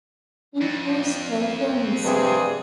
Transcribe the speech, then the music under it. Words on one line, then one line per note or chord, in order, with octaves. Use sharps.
In Who Stole Feminism?
F2
G2 C3 G#4